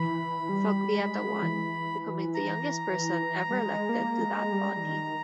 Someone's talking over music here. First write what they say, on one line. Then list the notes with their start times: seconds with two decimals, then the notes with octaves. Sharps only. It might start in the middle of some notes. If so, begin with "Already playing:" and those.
Foglietta won, becoming the youngest person ever elected to that body.
Already playing: E3 B5
0.49 G3
0.95 G#3
1.43 E3
2.34 A#5
3.51 G3
3.58 G#3
3.89 A#3
4.21 G#3
4.52 G3
4.76 E3
4.83 D#3